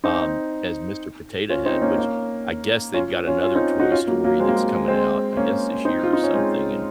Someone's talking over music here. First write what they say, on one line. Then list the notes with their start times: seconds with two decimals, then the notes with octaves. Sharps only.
um, as Mr. Potato Head, which I guess they've got another Toy Story that's coming out, I guess this year or something, and
0.04 C4 D#4
1.49 C#4 F4
1.66 C4 D#4
1.82 A#3 C#4
1.97 A#3 C#4
2.94 C#4 F4
3.27 C#4 F4
3.43 C#4 F4
3.55 C4 D#4
3.80 D#4 F#4
3.91 C#4 F4
4.07 F#3 A#3
4.24 F#3 A#3
4.40 G#3 C4
4.48 A#3
4.56 G#3
4.72 G#3
4.88 G#3 C4
5.37 A#3 C#4
5.85 C4 D#4
6.04 F4
6.13 D#4
6.23 C#4
6.33 G#3 C4